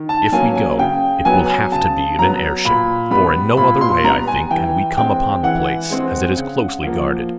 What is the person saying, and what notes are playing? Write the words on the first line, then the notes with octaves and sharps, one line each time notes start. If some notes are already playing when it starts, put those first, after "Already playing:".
If we go, it will have to be in an airship, for in no other way, I think, can we come upon the place, as it is closely guarded.
Already playing: D#3
A5
F#3 A#3 C#4 G#5
G#5
C#3 G5
F#3 B3 G#5
C#3 A5
F#3 B3 A#5
A#2 B5
G3 B3 B5
A#2 B5
C6
G3 B3 A#5
G#5
E3 G5
G#3 C4 G5
E3 F#5
G#3 C4
C#3
F3 A#3